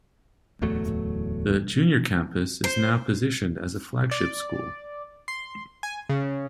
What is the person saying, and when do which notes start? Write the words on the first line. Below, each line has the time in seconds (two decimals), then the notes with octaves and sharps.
The Junior Campus is now positioned as a flagship school.
0.62 D1 E2 F#3 A3
2.64 C5
4.11 D5
5.28 C6
5.83 G#5
6.09 C#3